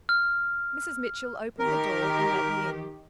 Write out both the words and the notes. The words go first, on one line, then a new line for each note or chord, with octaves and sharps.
Mrs. Mitchell opened the door, and led me in.
F6
D#3 G4 A#4